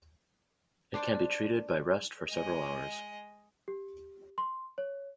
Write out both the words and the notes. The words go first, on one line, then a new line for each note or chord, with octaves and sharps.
It can be treated by rest for several hours.
D4 C5 D5
G#3 D#5
G4
C6
C#5